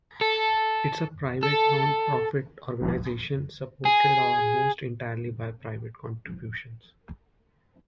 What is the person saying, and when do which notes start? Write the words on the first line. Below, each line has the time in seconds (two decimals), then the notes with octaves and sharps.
It is a private, non-profit organization, supported almost entirely by private contributions.
0.21 A4
1.43 A4
3.85 G#4